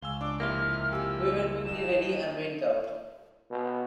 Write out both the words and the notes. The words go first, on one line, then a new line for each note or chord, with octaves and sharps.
We were quickly ready and went out.
C#2 F5 G#5 E6 G7
D4 D6
F2 C3 A#3 E4 F4 F6
F2 G4 G#5 E6
D#2 D#5 E7
B2